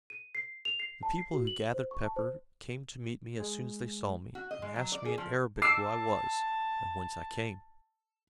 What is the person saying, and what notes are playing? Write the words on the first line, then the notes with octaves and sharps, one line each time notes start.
The people who gathered pepper came to meet me as soon as they saw me, and asked me in Arabic who I was, and whence I came.
D#7
C7
F7
C7
A5
C7
F#4
F#7
C5
C#6
A5
C5
G#3
F#4
D#5
G#3
F#3
D5
G#4
F3
A5 D6 E6 C7